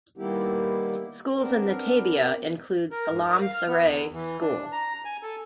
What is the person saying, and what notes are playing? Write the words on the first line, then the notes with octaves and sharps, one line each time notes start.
Schools in the "tabia" include Selam Seret school.
D#3 G3 A#3 B3 E4 G4
B3 C4 D4 A#4
A#4
G#2
A#4
F5
F6
B3
E2
E3
D4
A#5
G#5
A4